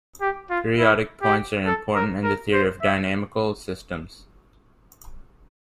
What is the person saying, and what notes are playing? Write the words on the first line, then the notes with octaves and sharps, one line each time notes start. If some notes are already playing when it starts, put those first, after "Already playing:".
Periodic points are important in the theory of dynamical systems.
G4
F4
E4
G4
A4
A#4
A#4
C5
E5